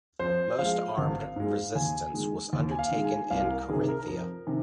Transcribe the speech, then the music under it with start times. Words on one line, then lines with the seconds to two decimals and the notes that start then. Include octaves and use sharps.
Most armed resistance was undertaken in Carinthia.
0.19 F2 C5
0.59 F3 G#3 F5
0.98 G#1
1.36 G#2 G#3
1.75 D#2 G#5
2.14 D#3 G#3
2.53 D#2
2.71 G#5
2.79 F5
2.91 D#3 G#3
3.04 G#5
3.30 C2 F5
3.50 A#4
3.69 C3 D#3 G#4
3.89 A#4
4.08 F2 A#4
4.47 C3 D#3